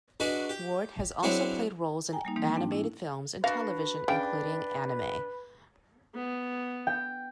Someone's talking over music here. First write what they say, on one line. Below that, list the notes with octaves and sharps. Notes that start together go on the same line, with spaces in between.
Ward has also played roles in animated films in television including anime.
D4 F#4 G#4 B4 D#5
G4
F#3 C4 D4 E4 G#4 C#5
G5 G#5 A#5
G3 A#3 D#4
E3 G#3 A#3 C4 D#4
G#2 C4 D4 G5 A5
C#4 D4 E4
D4 F#4 B4 F5
C#3 D4 G5
B3
G5